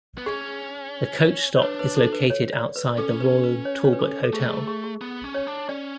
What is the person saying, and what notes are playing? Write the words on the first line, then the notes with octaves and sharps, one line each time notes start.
The coach stop is located outside the Royal Talbot Hotel.
B3
C#4 G#4
C#5
D4 B4
B4
A4
B4
C#5
D5
B4
C#4 A4
B4
B4
C#5
C#5
B4
A4
A4
A3 G#4
G#4
G#4
G#4
B3
C#4
C#5
D4
C#4 D5